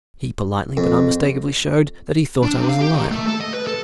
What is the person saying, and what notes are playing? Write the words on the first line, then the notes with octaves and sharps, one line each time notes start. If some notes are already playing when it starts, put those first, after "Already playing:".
He politely but unmistakably showed that he thought I was a liar.
F2
D4
C3
F5
G4
D#3
A3
A4
D#5
B4
A4